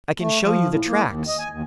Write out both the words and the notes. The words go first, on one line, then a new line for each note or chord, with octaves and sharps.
"I can show you the tracks."
A3
F3
A2
A#3
D#2
D#5
G#5
D#2